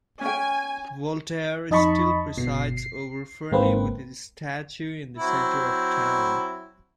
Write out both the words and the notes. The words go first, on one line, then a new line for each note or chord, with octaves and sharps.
Voltaire still presides over Ferney with his statue in the center of town.
C#4 G5 G#5
F2 D#4 D#5 A5 B5 C#6
G1 B2 C7
C7
G#1 G#2 A#3 C4 B4
F#3 C4 E4